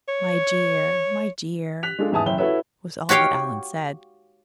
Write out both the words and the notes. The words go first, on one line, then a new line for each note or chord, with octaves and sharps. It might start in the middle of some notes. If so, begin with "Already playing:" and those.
"My dear, my dear!" was all that Allan said.
C#5
F#6 B6 F7
G#3 D4 F4 A4
E2 G#2 E5 G#5 A5 D#6
F#1 E3 C#5 E5 G5 G7
E4 F#4 A4 B4 C#5 E5
F#4 G4 C#5 F5 G5